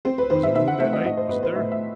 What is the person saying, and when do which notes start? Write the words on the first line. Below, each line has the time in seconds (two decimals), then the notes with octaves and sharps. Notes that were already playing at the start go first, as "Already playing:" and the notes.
"There was a moon that night, wasn't there?"
0.05 C4 C5
0.18 B4
0.30 D#3 C5
0.43 E5
0.55 D#3 E5
0.68 F#5
0.80 A3 E5
0.93 D#5
1.05 A2 D#5
1.17 C5
1.30 B3 B4
1.43 C5
1.56 A2 E5
1.72 E5